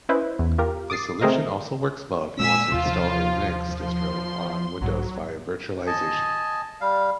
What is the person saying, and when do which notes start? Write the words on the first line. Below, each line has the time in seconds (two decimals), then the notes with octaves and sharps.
This solution also works well if you want to install a Linux distro on Windows via virtualization.
0.09 C#4 E4 B4 C5 D#5
0.39 E2
0.58 F4 G4 A#4
0.90 D6 D#6 A6 C7
1.21 A3 C4 G#4 A#4 C5 D#5
2.40 A#2 G#3 G#5 E6 B6
2.72 D#2 C3 F3 F4
3.85 C6
4.81 B1 G#2 F#3
5.87 D#5 G#5 A5
6.81 G3 F5